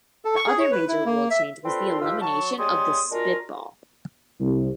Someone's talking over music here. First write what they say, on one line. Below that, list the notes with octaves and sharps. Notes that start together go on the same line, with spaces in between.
The other major rule change was the elimination of the spitball.
A4
C#6
G#4
C#5
B4
E4
A#3
E5
C4 D4 F4 A4 B4 C6
D#2 F4 G4 B4 E6
F#3 A5 C#6
G3 G#3 B3 C#5 C6 D#6
G#3 D4 F4 F#4 A#4
C2